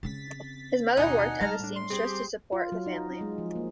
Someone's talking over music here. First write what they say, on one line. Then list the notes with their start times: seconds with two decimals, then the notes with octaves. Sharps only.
His mother worked as a seamstress, to support the family.
0.03 C#3 C4 A6 B6
0.97 D#2 B2 D4 D#4 F#5 G#5
1.40 G3 A5 A#5 F6
1.59 A2 D4
1.76 C6
1.90 C4 G4 G#4
2.52 F4
2.72 F#3
2.87 D#4
3.21 G#3
3.38 F3
3.56 A#3